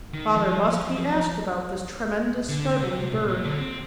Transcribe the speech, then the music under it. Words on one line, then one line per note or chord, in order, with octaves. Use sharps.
Father must be asked about this tremendous, startling bird.
D#3
F3
D3
C3
A#2
A#2
D3
C4